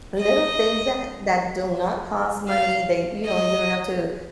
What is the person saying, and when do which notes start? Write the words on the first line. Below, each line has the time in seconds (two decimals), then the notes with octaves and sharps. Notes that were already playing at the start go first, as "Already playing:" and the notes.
Little things that that do not cost money, they you know, you don't have to
0.19 D#5
2.48 F5
3.25 D#5